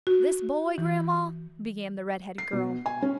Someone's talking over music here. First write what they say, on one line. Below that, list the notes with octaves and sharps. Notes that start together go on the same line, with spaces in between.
"This boy, grandma," began the red-headed girl.
F#4
E3
C7
B2
G#5
C#4